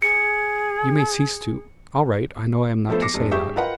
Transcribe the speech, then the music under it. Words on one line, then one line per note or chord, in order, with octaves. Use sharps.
You may cease to... all right, I know I am not to say that.
G#4 C#7
F3 A3 B3 A4 C5
D6 A#6 C7 C#7
F1 D4
G2 G4 G#4 E5 C#6 G6
F4 A#4 B4 D#5 F#5 G5